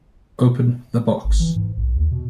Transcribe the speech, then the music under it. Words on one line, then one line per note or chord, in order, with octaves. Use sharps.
Open the box.
G#1
E3
G#2
B1
D#2
B2